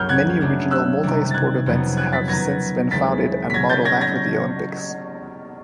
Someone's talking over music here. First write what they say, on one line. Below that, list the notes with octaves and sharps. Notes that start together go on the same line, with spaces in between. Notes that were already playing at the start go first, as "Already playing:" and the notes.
Many regional multi-sport events have since been founded and modeled after the Olympics.
Already playing: C#2 F#2 C#3 F#3 A#3 C#4 F6 G6
F#6 G#6
C#3 F#3 A3 D4
E6 F#6
C3 D#3 G3
A6
F#6 G#6
F2 C#3 F#3 B3
F#6 G#6
A6 B6
D#3 F#3 B3 G#6 A#6
D#2 C#3 E3 G#3 C4 A6 B6
B6
C#3 F#3 A3 C#4 G#6 A#6
G6 A6
G#6 A#6
G#6 A#6